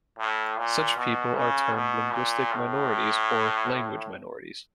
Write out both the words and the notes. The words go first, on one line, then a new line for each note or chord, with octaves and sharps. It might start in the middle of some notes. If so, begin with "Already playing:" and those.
Such people are termed linguistic minorities or language minorities.
A2
A#2
B2
C#3
B2
A#2
A2